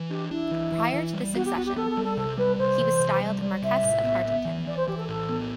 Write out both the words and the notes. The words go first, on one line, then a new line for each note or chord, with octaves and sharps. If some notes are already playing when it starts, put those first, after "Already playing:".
Prior to this succession, he was styled Marquess of Hartington.
Already playing: E3
D4 G4
D4 E4
E3
E3
E3
G3
B3 F#4
G4
B3 F#4
G4
B3 A4
A4
G3
A4
C3 A4
G3 B4
C3 C5
E3
C3
G3
G3 D5
C3 E5
A2
B3
B3
E3
E3 D5
C5
E3 G4
A4
A2 A4
B3